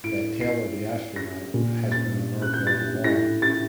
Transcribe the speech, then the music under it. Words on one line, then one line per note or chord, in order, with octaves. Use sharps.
that Taylor, the astronaut, has been on Earth all along,
A2 D7
C7
A#6
A#2
A6
F#6
G6
A6
A2 A#6
A6